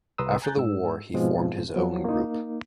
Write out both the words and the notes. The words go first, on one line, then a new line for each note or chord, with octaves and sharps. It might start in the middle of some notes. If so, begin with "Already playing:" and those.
After the war he formed his own group.
C2 B4 A#5 C6 D#6 E6
G#5 A#5 F#6 G6 A6
G#2 E6
G#2 B2 F3 G#3 C4
F3 F#3 B3
A#3 D#4